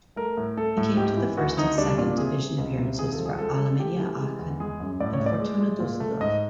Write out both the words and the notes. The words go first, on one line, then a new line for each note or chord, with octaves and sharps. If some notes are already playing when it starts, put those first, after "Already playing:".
He came to first and second division appearances for Alemannia Aachen and Fortuna Dusseldorf.
A3 A#4
A2
A3 A4
A2
G#2 G4
E3
D2 F#4
D2 D#4
G3 D4
A#2 D4
C3 G#4
C3
C#2
C3
D#2 G#4
A4
F3
G#4
G#3 A4
G#3
A3 G4
E3
G#3
E2
G#3 G#4
F#2
A2 D5
C#5
A2
D5
G#3
G#3
A#2
A3
G#2 D#5